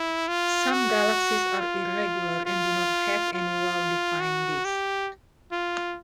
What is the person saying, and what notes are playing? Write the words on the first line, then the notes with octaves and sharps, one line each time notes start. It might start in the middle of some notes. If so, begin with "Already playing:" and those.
Some galaxies are irregular and do not have any well-defined disk.
Already playing: E4
F4
F#4
F4
F4
F4
F#4
G4
F4